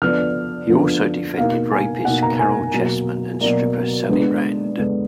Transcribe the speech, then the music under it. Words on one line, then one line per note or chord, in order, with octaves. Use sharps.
He also defended rapist Caryl Chessman and stripper Sally Rand.
D3 F3 B3 D4 F6
D3 F3 B3 D4
B2 A#3 D#4 F5
G#5
B2 A#3 D#4 F#5
A#5
G#5
B2 F#3 A#3
B2 F#3 A#3 D5
D3 G#3 B3 D4
D3 G#3 B3 D4